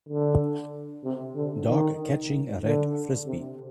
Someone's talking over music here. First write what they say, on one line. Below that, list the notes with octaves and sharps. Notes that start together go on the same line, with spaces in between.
Dog catching a red Frisbee.
D3
C3
D3
D#3
D3
C3